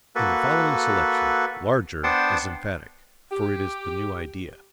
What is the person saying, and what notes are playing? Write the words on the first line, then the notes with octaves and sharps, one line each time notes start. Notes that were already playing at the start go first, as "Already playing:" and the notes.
In the following selection, "larger" is emphatic, for it is the new idea.
A#3 F#4 A4 B4
B3 D4 C5 F#5 G5 A5
G4